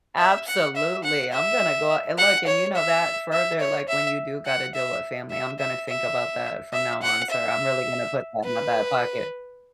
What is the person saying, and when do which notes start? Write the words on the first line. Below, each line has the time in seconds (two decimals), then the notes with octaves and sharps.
Absolutely, I'm gonna go and look and you know that further, like, when you do gotta deal with family I'm gonna think about that from now on sir, I'm really gonna put that in my back pocket.
0.18 E5
0.48 F#5
0.76 E5
1.04 F#5
1.33 E5
2.18 F#5
2.47 C#5
2.76 E5
3.33 E5
3.60 C#5
3.88 E5
4.46 F#5
4.75 E5
5.31 E5
5.59 E5
5.89 E5
6.73 E5
7.02 F#5
7.30 E5
8.45 B4